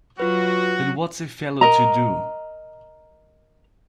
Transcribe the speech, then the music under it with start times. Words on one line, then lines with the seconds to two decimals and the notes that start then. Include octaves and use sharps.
Then what's a fellow to do?
0.20 F#3 F4 F#4 B4
1.61 A#4 D#5 A#5